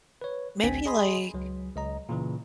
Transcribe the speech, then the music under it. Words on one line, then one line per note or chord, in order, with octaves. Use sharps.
Maybe, like
B4 C#5
A1 D2 C4 D4 G#5 B6
G#4 D#5 G#5 B5 C6 D#6
C#2 F#3
C#2 D#5 A#5
A#2 C#3 E3